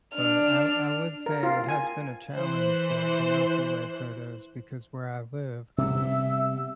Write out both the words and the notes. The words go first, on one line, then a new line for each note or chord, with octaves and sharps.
but I w I would say it has been a challenge- the the Milky Way photos, because where I live,
D4 F6
A#4
F4
G#5
E3 C5 F#6
C3 G3 B3 E5 E6